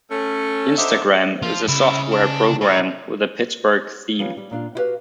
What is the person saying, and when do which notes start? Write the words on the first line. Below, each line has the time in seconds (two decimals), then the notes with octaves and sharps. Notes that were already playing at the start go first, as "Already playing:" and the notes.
Yinztagram is a software program with a Pittsburgh theme.
0.11 A3 C#4
0.78 D3 D#4 G4 C5 E5
1.42 F3 F4
1.68 C#3 G3 E4
2.12 D4
2.61 B2 D#4
4.19 F3 G3 B3 C#4
4.37 G3
4.51 A#2 D4 F4
4.75 E4 F#4 G4 A#4 B4 F5